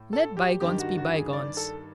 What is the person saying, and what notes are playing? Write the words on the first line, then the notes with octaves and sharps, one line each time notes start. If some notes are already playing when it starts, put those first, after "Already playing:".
Let Bygones Be Bygones.
Already playing: A2
A4
G4
G2 D#3 G4
F#4
F#4
G#4
D5
A4